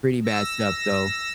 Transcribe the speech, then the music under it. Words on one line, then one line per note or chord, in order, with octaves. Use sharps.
Pretty bad stuff, so,
E6 A#6